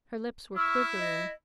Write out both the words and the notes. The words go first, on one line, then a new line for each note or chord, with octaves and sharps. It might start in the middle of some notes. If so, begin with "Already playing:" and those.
Her lips were quivering.
E4 C#6 E6 F6
D#5